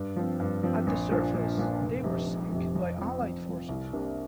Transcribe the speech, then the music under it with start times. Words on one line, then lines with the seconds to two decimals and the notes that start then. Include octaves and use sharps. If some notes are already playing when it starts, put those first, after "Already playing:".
At the surface, they were sunk by Allied Forces.
Already playing: G2
0.16 F3 C4
0.40 G2
0.63 F3 C4
0.87 A#1
1.10 A#2 F3 D4
1.34 A#1
1.58 A#2 F3 D4
1.81 F1
2.04 F2 C3
2.27 F1
2.52 F2 C3
2.75 F2
2.98 F3 C4
3.22 F2
3.46 F3 C4
3.68 C2
3.93 C3 A#3 D4